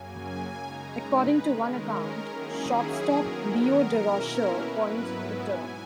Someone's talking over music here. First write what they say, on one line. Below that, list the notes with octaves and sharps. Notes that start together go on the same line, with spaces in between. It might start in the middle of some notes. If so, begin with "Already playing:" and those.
According to one account, shortstop Leo Durocher coined the term.
Already playing: F#2 C#3 F#3 A#3 G#5
C#3 G#3 D#4 A#5
B4
D#3 G#3 C#4 A#4
D#3 F#3 A#3 C#4 E4 G#4
D#3 F#3 B3 A#4
A#4
B2 A#3 C#4 E4
B4
G#2 F#3 B3 E4 B4
G#5